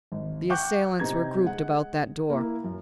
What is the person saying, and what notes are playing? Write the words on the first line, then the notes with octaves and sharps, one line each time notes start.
The assailants were grouped about that door.
G#1
F#5 G5 C#6 D6 F#6 G6
C3 C4 D#4 G#6
G#3 F#5
A#3 E4
F#2